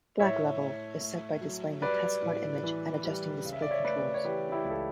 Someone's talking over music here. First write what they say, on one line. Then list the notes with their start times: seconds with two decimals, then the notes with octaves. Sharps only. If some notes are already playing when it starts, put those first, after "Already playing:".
Black level is set by displaying a testcard image and adjusting display controls.
0.19 A2 C#5 E5
0.60 A3
1.00 A3
1.41 F#3
1.81 G3 B4 D5
2.22 A2
2.63 E3
3.04 G3
3.45 C#3
3.53 E5
3.62 D5
3.71 C#5 E5
3.84 A3 B4 D5
4.14 C#5
4.25 E3 G4 B4
4.52 E4 G4
4.65 C#2 A4